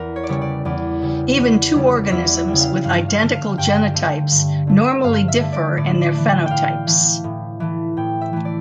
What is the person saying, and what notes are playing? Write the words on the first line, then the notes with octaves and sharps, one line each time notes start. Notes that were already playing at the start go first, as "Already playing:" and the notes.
Even two organisms with identical genotypes normally differ in their phenotypes.
Already playing: E2 A#4
C#5
D5
C#3 G3 C#5
D5
E2 D5
C#3 G3
E2
C#3 G3
D5
E2 E5
E5
C#3 G3
F5
G2 F5
F5
D3 A3
F5
G2 G5
D3 A3
G2
D3 A3
G2 F5
E5
D3 A3
D5
A2 D5
D5
E3 A3
A2 F5 G5
E3 A3
A2
E3 A3
A2 G5
E5
E3 A3
D5